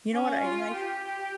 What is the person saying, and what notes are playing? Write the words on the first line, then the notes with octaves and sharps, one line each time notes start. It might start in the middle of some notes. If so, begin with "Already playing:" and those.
You know what? I and I f
C#4
F4
G4